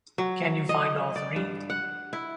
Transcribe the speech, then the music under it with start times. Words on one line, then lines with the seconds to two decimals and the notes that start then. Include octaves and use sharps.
Can you find all three?
0.18 F#3
0.69 D#5
1.16 D5
1.36 G2
1.70 F#5
2.13 E4